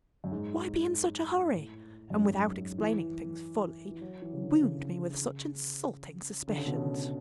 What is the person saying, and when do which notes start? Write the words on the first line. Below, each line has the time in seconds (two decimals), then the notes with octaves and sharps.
Why be in such a hurry, and without explaining things fully, wound me with such insulting suspicions?
0.24 F#2
0.31 G#2
1.55 A2
2.10 F#2
2.16 G#2
2.78 E3
3.91 E3
4.01 F#3
4.22 E3
4.33 C#3
4.42 D3
4.63 C#3
6.48 D3
6.57 C#3
6.66 B2
6.76 C#3